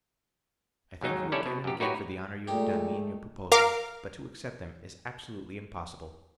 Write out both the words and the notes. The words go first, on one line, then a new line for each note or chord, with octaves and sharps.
I thank you again and again for the honour you have done me in your proposals, but to accept them is absolutely impossible.
D#2 G#2 F#3 D#4
G3 C#4 E4 A4 C#5 D5
B2
F#2 G4
D#4 E4 F#4 G4 B4 C#5
A#2 G#3 A3 D#4 G4
A#4 F5 D6